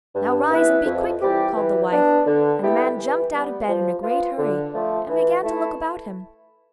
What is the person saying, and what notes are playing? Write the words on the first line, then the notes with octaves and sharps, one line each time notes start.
'Now rise, and be quick,' called the wife, and the man jumped out of bed in a great hurry, and began to look about him.
G2
E3 B3 E4 B4
F2
E3 G3 C4 G4
E3
B3 D4
D3
G3 B3 E4 G4
E3
G3 B3
F3
B3 F4
D3
F3 A3
E3
A3 E4